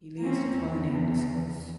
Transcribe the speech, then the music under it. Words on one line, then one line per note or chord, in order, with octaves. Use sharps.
He leaves the colony in disgust.
A#3 C4 C#4
E2